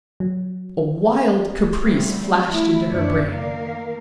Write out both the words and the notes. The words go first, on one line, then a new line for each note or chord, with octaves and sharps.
A wild caprice flashed into her brain.
F#3
F3 G3 A3 B3 C4
A3 E4
F#2 B2 D4 C#5 D5 E5
D#3 A#3 A#4 F5